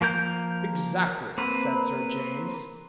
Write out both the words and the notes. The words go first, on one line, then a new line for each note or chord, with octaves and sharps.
"Exactly," said Sir James.
F3 A#3 A#4 G6
A#3 C4 B4